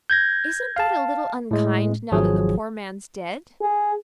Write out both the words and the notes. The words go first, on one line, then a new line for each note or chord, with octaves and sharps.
"Isn't that a little unkind now that the poor man's dead?"
G6 G#6 A#6
F5 A5
A2 G#3
G#1 F3 F#3 G#4
G#4